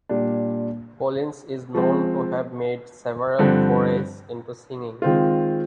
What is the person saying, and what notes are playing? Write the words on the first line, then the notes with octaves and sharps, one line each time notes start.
Collins is known to have made several forays into singing.
A#2 G3 D4
F3 G#3 C4
G2 D3 F3 C4
D#3 G#3 C4 F4